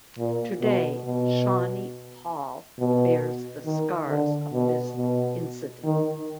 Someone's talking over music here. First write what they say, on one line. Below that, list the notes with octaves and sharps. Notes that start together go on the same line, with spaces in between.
Today, Shawnee Hall bears the scars of this incident.
A#2
B2
B2
B2
D#3
D3
B2
B2
D#3